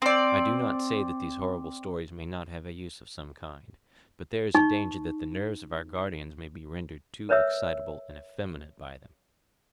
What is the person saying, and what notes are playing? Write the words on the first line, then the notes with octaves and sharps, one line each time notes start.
I do not say that these horrible stories may not have a use of some kind; but there is a danger that the nerves of our guardians may be rendered too excitable and effeminate by them.
C4 D5
D#4 C#6
A#4 B4 C#5 E5 E6